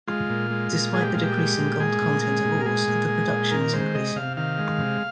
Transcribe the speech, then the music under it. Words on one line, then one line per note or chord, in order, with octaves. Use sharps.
Despite the decreasing gold content of ores, the production is increasing.
G#3 F4
A#2
G#3
A#2
G#3 G#4
G4
A#2 F4
G4
G#3
A#2
G#3 G#4
A#2
G#3
A#2
A#4
G#3 G#4
A#2
G#3
A#2
D#3 A#4
G#3 C5
C3 D#5
C3 F5
D#3 F5
G#3
C3